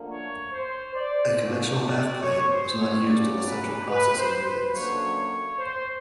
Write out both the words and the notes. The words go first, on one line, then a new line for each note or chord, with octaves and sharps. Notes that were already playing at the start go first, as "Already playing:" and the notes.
A conventional backplane was not used in the central processing units.
Already playing: D2 D3 F3 A#3
C#5
C5
D5
F#2 D3 F3 A3
D5
C#5
C5
C#5
D#2 C#3 F#3 B3 D5
B4
B4
C5
B4
F#2 D3 F#3 A#3 C#5
C#5
C5